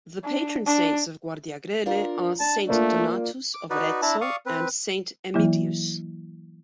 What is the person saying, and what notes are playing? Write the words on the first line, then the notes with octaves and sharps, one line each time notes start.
The patron saints of Guardiagrele are Saint Donatus of Arezzo and Saint Emidius.
D4
D4
D4 F4 A#4
D4 A5
A3 A#3 F4 D5
D6
D#4 F#4 B4 D5
D4 E4 A5 A#5
D5 F5 C#6 D#6
C4 B4
E3 F#3 A#3 E4